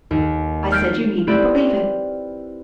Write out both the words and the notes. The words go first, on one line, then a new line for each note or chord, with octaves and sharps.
I said, you need n't believe it.
D#2
F6 G6 A6 B6 C7 D7
C4 E4 G4 B4 D5